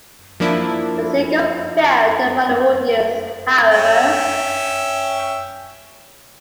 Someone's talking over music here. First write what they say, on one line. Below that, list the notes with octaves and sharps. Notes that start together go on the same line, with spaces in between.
The single failed to find an audience, however.
F3 A#3 D4 E4
C#4 E5 G5